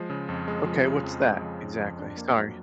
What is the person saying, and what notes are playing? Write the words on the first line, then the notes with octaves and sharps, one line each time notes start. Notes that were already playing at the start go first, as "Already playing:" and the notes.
Okay, what's that exactly? Sorry.
Already playing: F3 G#3
C#3
F2
G#3
F3
C#3
F2
G#3
F3
C#3
F2
D4
A#3
F#3